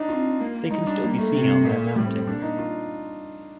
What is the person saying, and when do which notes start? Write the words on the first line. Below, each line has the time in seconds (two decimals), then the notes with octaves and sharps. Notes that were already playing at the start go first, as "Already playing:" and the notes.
They can still be seen on their mountings.
Already playing: D4 D#4
0.09 C4 F4
0.40 A#3
0.71 G3 D#4
0.87 D4
1.03 A#3
1.18 A3
1.33 C3
1.65 A#2
1.96 A2 G3
2.07 C4
2.17 C4
2.27 A#2 D4
2.42 D#4
2.59 F4